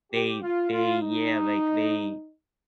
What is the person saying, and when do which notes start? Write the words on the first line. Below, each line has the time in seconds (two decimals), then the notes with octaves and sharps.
they they yeah, like, they
0.12 G4
0.42 F4
0.72 F4
1.01 D#4